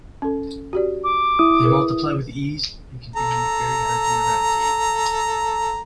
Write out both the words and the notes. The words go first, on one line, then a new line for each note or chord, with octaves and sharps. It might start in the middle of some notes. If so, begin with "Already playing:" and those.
They multiply with ease and can be very hard to eradicate.
C#4 A4
F#4 G4 D5
D6
E4 D#6
G#4 A#4 B4
A4 A#5